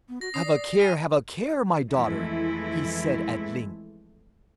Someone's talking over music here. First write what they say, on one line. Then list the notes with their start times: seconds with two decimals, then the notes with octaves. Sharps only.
"Have a care, have a care, my daughter!" he said at length.
0.09 B3
0.21 F#4 A#6
0.34 C#4 D#6 C7
0.45 D5
0.79 G#5 F6 D#7
1.90 F2 E3 G#3 A3 E4